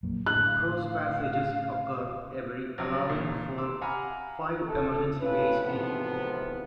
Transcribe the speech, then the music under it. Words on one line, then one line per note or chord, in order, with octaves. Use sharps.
Cross-passages occur every allowing for five emergency ways in.
A#1 F#2 A#3
A2 D3 F#6
F5
A#1 F#3
A1 A#2
C6 D6 E6
F5 F#5 G#5 A#5 B5 F6
A4
A2 C#4 F4 B4
G#1 E2 A2 C3 F3 B3